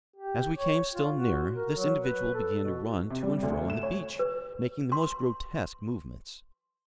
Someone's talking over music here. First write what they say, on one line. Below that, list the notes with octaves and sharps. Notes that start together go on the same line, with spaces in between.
As we came still nearer, this individual began to run to and fro on the beach, making the most grotesque movements.
G4
C#5
F4
F#4
A#4
F#3
B4
A4
B2
C3
G3
D2
E7
C#5
B4
C6